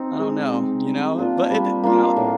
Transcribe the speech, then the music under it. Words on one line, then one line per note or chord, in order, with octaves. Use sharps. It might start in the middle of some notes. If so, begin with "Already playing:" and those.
I don't know." You know? But it d you know
Already playing: C4 D#4
G#3
C4 D#4
G3
A#3 D4 F4
G3
A#3 D4 F4
A2